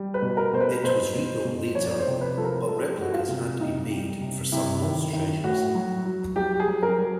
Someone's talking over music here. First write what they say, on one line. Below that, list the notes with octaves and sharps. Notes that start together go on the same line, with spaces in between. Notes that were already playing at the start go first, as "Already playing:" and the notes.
It was rebuilt later, but replicas had to be made for some lost treasures.
Already playing: G3
B4
B2
A#4
B2 C5
B4
B2 C5
B2
B2
F3 C#5
D5
C#5
C5
C3
B4
F3 A4
A#4
G#3 A4
G4
G#3 F#4
F4
C3
C3 D#4
G3
C3
C3 E4
D#3
D#3
A2 F#4
F#3
F#3
F#3 G4
G#4
F#3
A#4
F#3